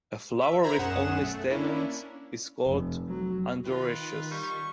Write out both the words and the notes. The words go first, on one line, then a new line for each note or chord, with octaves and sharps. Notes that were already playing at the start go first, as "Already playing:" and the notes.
A flower with only stamens is called androecious.
E5
A#4 C5 A#5 B5 G#6
B1 F#2 C#4 G#4 F#5 E7
A3
A#3 C#4 D4 E4
F1
F#3
D#3 F4 B4
G3 C#6